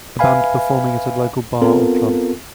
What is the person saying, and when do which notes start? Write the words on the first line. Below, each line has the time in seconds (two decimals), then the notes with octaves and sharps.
A band performing at a local bar or club.
0.19 B4 E5 F5 G#5 B5
1.62 B3 C4 F4 A4 A#4